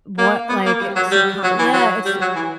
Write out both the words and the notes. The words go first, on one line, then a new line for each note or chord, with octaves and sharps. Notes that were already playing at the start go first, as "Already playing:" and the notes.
what, like, uh, subcon yeah, it's
A#3
B3
A#3
G3
F#3
G3
F#3
E3
F#3
G3
F#3
E3